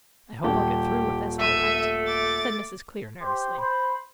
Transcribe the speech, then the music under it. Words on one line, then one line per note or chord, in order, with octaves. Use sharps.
"I hope I'll get through with this all right," said Mrs. Clear nervously.
D#1 G4
A3 E5 D#7
D6 A6
G4 C5 C6
C5 B5